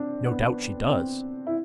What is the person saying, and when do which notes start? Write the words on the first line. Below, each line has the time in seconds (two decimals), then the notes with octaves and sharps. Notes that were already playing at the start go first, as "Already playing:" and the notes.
No doubt she does.
Already playing: C4 D4
0.25 B3
0.89 C4
1.47 E4